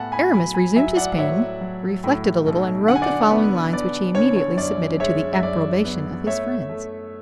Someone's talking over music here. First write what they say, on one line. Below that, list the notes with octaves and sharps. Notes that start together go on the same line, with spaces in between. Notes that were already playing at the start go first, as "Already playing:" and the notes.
Aramis resumed his pen, reflected a little, and wrote the following lines, which he immediately submitted to the approbation of his friends.
Already playing: A2 B3 F#5 G#5 A5 B5
G#5 B5
F#3 G#5 B5
G#5 B5
F#3 E5 G#5
D5 F#5
F#5
A2 C#5 E5
F#3
A2
B1
D3 F#5
G#5
D5 F#5
B3
B3 D5
D3 C#5
C#5
F#2 D5
G#3 C#5 E5
E5
F#2 D5
B3
A3 C#5 E5
A3